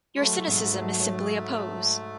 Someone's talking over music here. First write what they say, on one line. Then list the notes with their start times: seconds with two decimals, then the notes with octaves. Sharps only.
Your cynicism is simply a pose.
0.15 G#3
0.21 F#3 A3
0.48 G#2
0.74 F#3
1.00 F#3